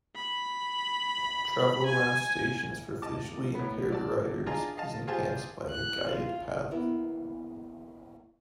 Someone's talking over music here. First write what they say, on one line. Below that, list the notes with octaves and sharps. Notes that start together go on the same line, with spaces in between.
Travel around stations for visually impaired riders is enhanced by a guided path.
B5
G#5
D#5 A5 D6
A2 B3
F#3 D5 A5
D4 F4 G#4 D#5 A5 A#5
D#5 F5 A5
F4 G4 G#4 C5 A5
F#6
F4
A#3 B3 E4